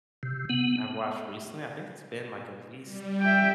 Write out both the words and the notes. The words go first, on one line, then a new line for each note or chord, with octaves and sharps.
I've watched recently, I think it's been, like, at least
C3
B3
G3
E5 G5